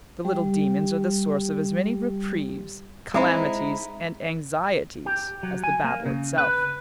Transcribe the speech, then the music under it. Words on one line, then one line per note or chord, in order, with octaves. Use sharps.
The little demons are the source of as many reprieves, calamities, and anxieties as the battle itself.
G3 G4
G#3 C4 D#4 E4
G4
F#3
G#5
A#3
C#3
B4